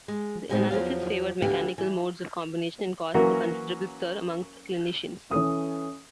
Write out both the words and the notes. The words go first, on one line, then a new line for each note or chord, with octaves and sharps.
The analysis favored mechanical modes of combination and caused a considerable stir amongst clinicians.
G#3
A2 D3 G#3 B3 C4 D#4
E2 F3 F#3 F5
D2 D3 E3 G4 F5
E3
E3 F#3 A#3 C#4 F#4 A#4
E3 C#4 A4 D#6